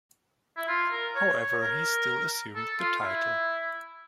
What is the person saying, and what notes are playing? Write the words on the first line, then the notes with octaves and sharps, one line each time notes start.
However, he still assumed the title.
E4
F4
A#4
C#5
C#5
A#4
A4
F4
E4